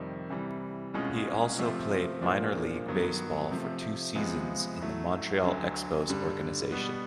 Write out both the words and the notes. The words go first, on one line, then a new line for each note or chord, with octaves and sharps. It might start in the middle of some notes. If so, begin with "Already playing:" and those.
He also played minor-league baseball for two seasons in the Montreal Expos organization.
Already playing: F2 C3 D#3 G3
C2 C3 E3 G3
C2 B2 G#3 C#4 F4
C3 F3 A3 C4 F4
A#2 F3 A#3 D4
G2 D#3 F#3 B3
C3 F3 A3
C#2 C3 F3 G#3 B3
A2 F#3 A3
D2 D3 F#3
G2 D3 G3
B2 G3 B3